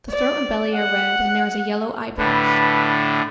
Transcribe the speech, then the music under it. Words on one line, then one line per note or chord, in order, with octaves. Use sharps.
The throat and belly are red and there is a yellow eye patch.
D5
F#5
A2 D3 B4